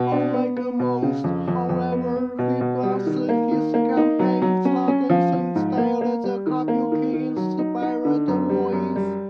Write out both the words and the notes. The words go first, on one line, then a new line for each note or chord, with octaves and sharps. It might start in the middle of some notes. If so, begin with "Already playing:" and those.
Unlike most, however, he blasts his campaign slogans in a stylized, kabuki-inspired voice.
Already playing: B2
D4
B3
B3
B2
C#3
F2
F2
F2
B3
B3
B2
B2
G3
D#3
A#3
D#3
A#3
D#4
F#3
F#3
C#4
C#4
F3
F3
G#2
A#3
A#3
G3
D#3
A#3
D#3
D#3
F#3
D#4
D#4
D3
F#2
G3
F#2
G3